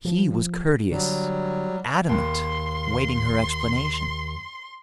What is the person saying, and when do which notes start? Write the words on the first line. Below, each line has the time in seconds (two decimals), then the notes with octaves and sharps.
He was courteous, adamant, waiting her explanation.
0.05 F3
0.91 D3 F#3 G3
2.09 D#2 C6